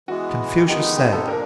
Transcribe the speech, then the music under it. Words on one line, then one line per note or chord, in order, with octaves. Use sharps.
Confucius said.
E3 G#3 B3 F#4
D#3 G#3 B3 D#4 G4
G4
A4
A#2 F3 A#3 D4 A#4